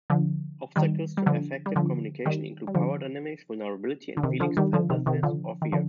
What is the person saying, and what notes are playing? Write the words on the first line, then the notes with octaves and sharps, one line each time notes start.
Obstacles to effective communication include power dynamics, vulnerability, and feelings of helplessness or fear.
D3 F3
D#3 G3
G3
D3 F3
G3
D3 F3
D#3 G3
G3
D3 F3
D3
C3 D#3
D3 F3
D#3 G3
D3 F3
C3 D#3
C3 D#3
D3 F3
D#3
D3 F3